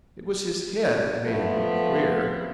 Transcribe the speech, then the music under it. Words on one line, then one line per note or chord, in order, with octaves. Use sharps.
It was his head that made him look queer.
F3 A3 B3 C4